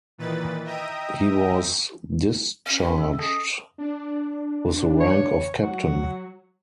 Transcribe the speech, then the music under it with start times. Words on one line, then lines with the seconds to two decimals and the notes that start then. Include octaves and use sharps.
He was discharged with the rank of Captain.
0.18 A#2 D#3 E3 B4 A6
0.64 D#5 E5 G5 A#5 D#6
2.66 C#4 F5
2.80 C4 A#4 B4
2.98 G#3 E5
3.19 G#4 A4 D#5
3.78 D4
5.00 C#5
5.62 F#3 F#4